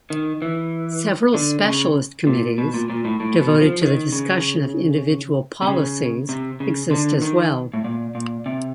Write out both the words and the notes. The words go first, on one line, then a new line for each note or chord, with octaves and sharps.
Several specialist committees, devoted to the discussion of individual policies exist as well.
D#3
E3
D3
C#3
A#2
B2
A#2
A#2
A2
A2
B2
F3
D#3
C#3
C3
C#3
C3
C#3
D3
D#3
A2
A#2
A#2
C3